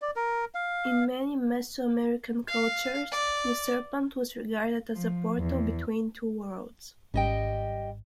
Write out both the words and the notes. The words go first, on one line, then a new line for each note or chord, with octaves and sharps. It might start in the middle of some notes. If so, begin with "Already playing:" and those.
In many Meso-American cultures, the serpent was regarded as a portal between two worlds.
D5
A#4
F5
F5
D5
F3
E2
G#1 G3 C#4 D#5 G5